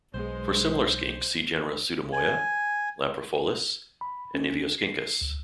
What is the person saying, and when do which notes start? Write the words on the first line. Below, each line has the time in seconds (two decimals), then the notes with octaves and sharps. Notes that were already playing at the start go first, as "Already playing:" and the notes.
For similar skinks see genera "Pseudemoia", "Lampropholis", and "Niveoscincus".
0.14 B1 G#3 B3 C5
2.12 G#5
4.01 B5
4.35 C#4
4.78 C7
5.21 D2